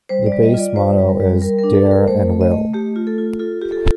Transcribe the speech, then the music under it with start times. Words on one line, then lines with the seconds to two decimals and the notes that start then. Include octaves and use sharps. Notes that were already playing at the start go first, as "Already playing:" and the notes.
The base motto is ""Dare and Will"".
0.09 G3 C5
0.26 D5
0.32 G3
0.43 D#5
0.54 F4
0.59 D5
0.76 G3 C5
0.98 G3
1.09 A#4
1.20 G3
1.42 G3 A#4
1.59 A#4
1.64 D4
1.75 A4
1.86 G3
1.91 A#4
2.08 A3 C5
2.30 A3
2.41 D#5
2.52 A3
2.74 A3 G4
2.96 F4
3.07 A4
3.18 F4
3.39 F4 A4
3.61 F4 G4
3.72 A4